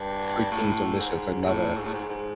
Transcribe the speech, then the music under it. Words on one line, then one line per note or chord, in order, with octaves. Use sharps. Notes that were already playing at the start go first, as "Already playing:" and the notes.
freaking delicious, I love it,
Already playing: G2
A2
G#2
G#2
A2
G#2
A2
G#2
G#2